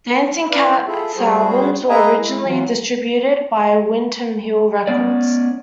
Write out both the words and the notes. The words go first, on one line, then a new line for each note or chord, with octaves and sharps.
Dancing Cat's albums were originally distributed by Windham Hill Records.
E4 B4 D5 F5
E4 F4 G#4 A4 E5
G3 F#4 G#4 C5
G#4 B4 D#5 E5 G#5 A#5
G#3 E4
E3 F#3 F4
B3 C#4 D5